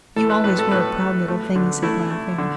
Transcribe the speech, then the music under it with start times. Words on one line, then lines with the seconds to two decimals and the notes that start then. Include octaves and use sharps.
"You always were a proud little thing," he said laughing.
0.16 E3 A4
0.30 B4
0.44 A2 B4
0.59 A4
0.71 A2 B4
1.00 A3
1.28 A3
1.56 D3
1.83 A3 E4
2.11 A3
2.38 D3